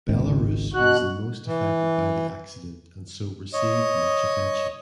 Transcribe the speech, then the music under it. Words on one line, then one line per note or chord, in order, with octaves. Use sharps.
Belarus was the most affected by the accident and so received much attention.
G#1 C#2 D#3
B2 F#4 F#6
E3
C#5 D#5